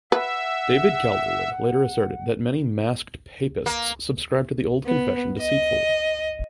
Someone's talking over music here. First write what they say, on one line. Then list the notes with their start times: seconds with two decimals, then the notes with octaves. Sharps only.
David Calderwood later asserted that "many masked "Papists" subscribed the old Confession deceitfully".
0.12 B4 E5 F#5
3.66 A#3
4.86 B3
5.40 D#5